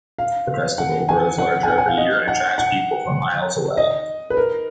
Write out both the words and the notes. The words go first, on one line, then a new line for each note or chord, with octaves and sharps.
The festival grows larger every year and attracts people from miles away.
F5
F#5
G#5
F#5
G#5
F#5
G#5
F5
D#5
F#5
F#5
D#5
B4
A#4